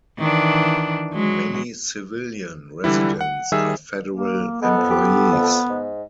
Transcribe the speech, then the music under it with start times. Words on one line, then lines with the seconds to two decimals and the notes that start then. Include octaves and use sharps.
Many civilian residents are federal employees.
0.18 D#3 E3 D4
1.13 F#3 G#3
2.84 D3 E3 G3 E4
3.21 F#5
3.52 D#3 G3 G#4 E5 E6
4.14 A#3
4.62 G#3 B3 A4
4.77 F2
4.90 G4
5.32 F2
5.69 G#2